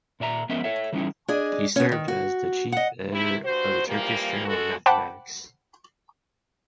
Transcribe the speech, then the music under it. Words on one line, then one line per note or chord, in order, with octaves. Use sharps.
He served as the Chief Editor of the Turkish Journal of Mathematics.
A#2 D5 E5 A#5
F3 B3 C#4 A#4 D#5 E5
A4 C#5 E5
E3 F#3 G3 C#4 D#4 E4
D4 G#4 D#5
B3 C#4
D#3
F#4
D#5 F#5
C3 E4
G2 F#4 C5
E3 F3 G3 A#3
G#3 F#4 A4
C5 F#5 G5 A5 B5 D6